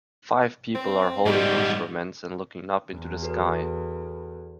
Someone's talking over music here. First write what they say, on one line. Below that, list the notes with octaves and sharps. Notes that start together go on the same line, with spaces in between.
Five people are holding instruments and looking up into the sky.
C4
G#2 G3 G4 D5
E2
F#4 A4 B4